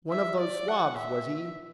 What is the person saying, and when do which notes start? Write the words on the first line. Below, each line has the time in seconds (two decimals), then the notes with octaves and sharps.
One of those swabs, was he?
0.11 E5
0.40 D5
0.68 F#5
0.97 E5